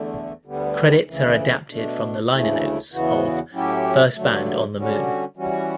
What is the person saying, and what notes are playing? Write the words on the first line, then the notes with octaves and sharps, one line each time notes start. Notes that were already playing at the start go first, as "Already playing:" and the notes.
Credits are adapted from the liner notes of "First Band on the Moon".
Already playing: E2 D3 A3
D2 D3 G3 B3
D2 C#3 E3
B2 A3 D4
D2 C#3 E3 A3
E2 C#3 E3 B3 F#4
A2 F#3 C#4 E4 G4
G2 D3 F#3 A3
D3 G3 C#4 F#4
E3 G3 C#4 F#4